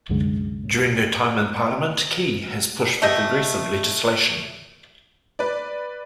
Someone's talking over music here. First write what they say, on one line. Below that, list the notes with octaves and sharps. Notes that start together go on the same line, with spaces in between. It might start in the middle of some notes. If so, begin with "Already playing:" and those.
During her time in parliament, Key has pushed for progressive legislation.
C2 F#2 D3 G#3
A3 G4 D#5
B4 D5